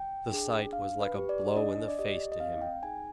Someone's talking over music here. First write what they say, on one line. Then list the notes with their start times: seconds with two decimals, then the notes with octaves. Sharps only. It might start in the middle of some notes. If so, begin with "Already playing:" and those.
The sight was like a blow in the face to him.
Already playing: G5
0.31 D4 G#4
0.72 D4 F5
1.01 B4
1.15 G4
1.29 D5
1.56 D4 D#5
1.88 D5
1.99 G4 D#5
2.32 D#5
2.40 C4 F5
2.61 G5
2.83 D#4 G#4 G#5